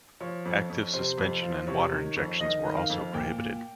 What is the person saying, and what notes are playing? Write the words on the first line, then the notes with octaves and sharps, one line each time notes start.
Active suspension and water injections were also prohibited.
F3 C#5
F2
F2
C3 C5
F2
F3
C3 C#5
D#3
F2
D#3 D#5
D#3
F5
F2
A#2 G5
A#2